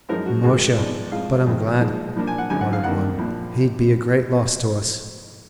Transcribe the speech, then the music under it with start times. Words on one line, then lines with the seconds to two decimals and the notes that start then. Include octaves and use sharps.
"Musha, but I 'm glad," muttered one; "he 'd be a great loss to us."
0.09 F#2 F3 G#3 D#4 A#4
0.26 F#4
0.43 G#2 D#3 G#3 B3 F#4
0.78 G#2 F3 B3 D#4 D5
1.12 F2 F3 G#3 F5
1.47 A#1 G#2 D#3
1.81 A#2 F3 G#3 D#4
2.16 A#2 F3 A#3 D4
2.27 G#5
2.38 F#5
2.50 G#1 F#2 D3 G#3 G#5
2.61 F#5
2.73 F5
2.84 F2 D#3 A#3 D4 F#5
3.18 A#1 A#2 F3 A#3